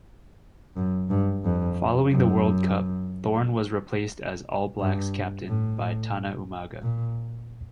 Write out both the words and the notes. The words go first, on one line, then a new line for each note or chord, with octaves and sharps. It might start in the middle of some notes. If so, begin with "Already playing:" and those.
Following the World Cup, Thorne was replaced as All Blacks captain by Tana Umaga.
F#2
G2
F2
F#2
G2
A2
A#2